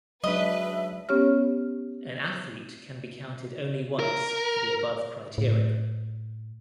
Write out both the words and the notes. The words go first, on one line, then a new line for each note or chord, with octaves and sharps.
An athlete can be counted only once for the above criteria.
F#3 G#3 D4 B4 D#5 E5
B3 C#4 G4 C#5 F6
A#4
A2